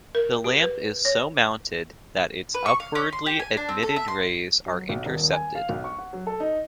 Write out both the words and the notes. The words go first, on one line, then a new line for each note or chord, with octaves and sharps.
The lamp is so mounted that its upwardly emitted rays are intercepted.
A#4
G4
B4
C#5
B4
C#6
F5
C#4
C6
G4
G#5
D4
C4
A4
E5
C6
F#3
B1
D#1
G#5
F5
B1
C#6
F#5
F#3
A4
D#4